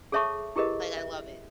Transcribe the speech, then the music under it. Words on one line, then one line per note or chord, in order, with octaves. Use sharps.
Like, I love it.
G#4 A4 C#5 E5 A5 C#6
E4 G4 G#4 A#4 B4 D#5
E5